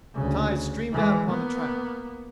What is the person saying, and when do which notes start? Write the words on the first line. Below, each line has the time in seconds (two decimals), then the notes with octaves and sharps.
Ties streamed out upon the track.
0.14 D2 C#3
0.92 E3 G#3
1.30 A#3 B3